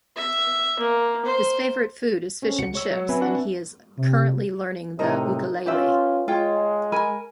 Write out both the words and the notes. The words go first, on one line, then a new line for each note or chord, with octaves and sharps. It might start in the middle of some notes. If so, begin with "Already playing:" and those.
His favourite food is fish and chips and he is currently learning the ukulele.
E5
A#3
C5
C4 C#4 A4
C#2 F#4 C#7
G#3 C#5 E6
F#3
C4 B4 E5 G#5
D4 F#4 F#5
C3
A2 C3 D#4 A4 A#4 D#5
C#4 F4 G4 B4 E5
G#3 F4 C#5 G5
A#4 G#5 B5